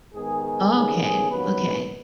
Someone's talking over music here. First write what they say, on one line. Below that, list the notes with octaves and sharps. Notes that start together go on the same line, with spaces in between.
Oh, okay. Okay.
G#2 D#3 B3 G#4
G#4
D#2 C#3 B3
G#4
D#2 C#3 F#3 B3 B4